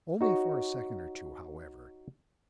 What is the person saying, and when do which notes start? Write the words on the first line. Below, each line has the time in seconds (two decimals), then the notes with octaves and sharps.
Only for a second or two, however.
0.21 D#4 F#4 C#5